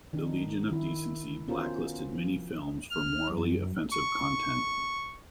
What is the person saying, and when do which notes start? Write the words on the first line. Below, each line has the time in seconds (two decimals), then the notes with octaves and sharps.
The Legion of Decency blacklisted many films for morally offensive content.
0.13 D#3 D4 D#4
0.71 D#3 E4
1.48 B3 C#4 F4 F#4 A#4 C5
2.15 F3
2.91 F6
3.29 F#2
3.92 C#6